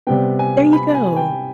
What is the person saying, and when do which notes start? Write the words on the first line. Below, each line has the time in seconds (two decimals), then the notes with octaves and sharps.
There you go.
0.07 C3 G3 B3 G5
0.39 G#5
0.73 B5
0.94 G#5
1.16 G5